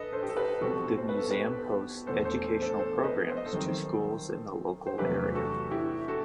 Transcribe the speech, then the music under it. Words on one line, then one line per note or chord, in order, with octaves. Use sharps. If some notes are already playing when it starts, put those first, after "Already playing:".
The museum hosts educational programs to schools in the local area.
Already playing: A4 B4 D#5
A4 C5
G4
A4
G4 B4
B1 B2 G3 C4 F#4 A4
C5
B4
A4
G4 B4
E2 B2 A3 A4 C5
A4 C5
A4 C5
A4 C5
A4 C5
B4 D#5
C5
D#5
A4 C5
F#2 D#3 G3 C4
C5
E2 C3 F#3 A3 G4 B4
F#4 A4
E4 G4
F#4 A4